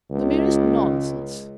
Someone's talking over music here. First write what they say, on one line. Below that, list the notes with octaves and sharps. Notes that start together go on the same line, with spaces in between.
'The merest nonsense.'
C#2